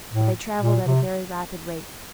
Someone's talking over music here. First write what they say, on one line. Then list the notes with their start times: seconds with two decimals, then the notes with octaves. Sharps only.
But they travelled at a very rapid rate.
0.13 A2
0.61 A#2
0.84 C3